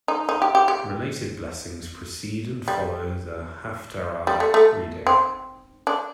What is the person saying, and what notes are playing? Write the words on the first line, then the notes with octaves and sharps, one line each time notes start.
Related blessings precede and follow the Haftarah reading.
D#4
D#4
G4
G4
G4
G3
G3
A3
A3
C4
D4